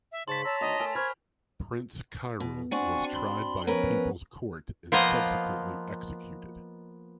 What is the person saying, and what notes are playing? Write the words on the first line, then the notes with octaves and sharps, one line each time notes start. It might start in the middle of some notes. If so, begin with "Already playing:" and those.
Prince Kyril was tried by a People's Court and subsequently executed.
E5
G#2 C#3 C#5 A5 C6 B6
C#5 A5 A#5 E6
D2 D#3 A3 D#5 F7
A3 A4 A#4 G#5
A#4 C5 C#5 B5 F6 G#6
B2
C4 D4 F#4 F#5 G#5 C#6
B5 C6
F3 B3 C#4 A#4 B4
F3 A#3 B3 F4 D#5 A#5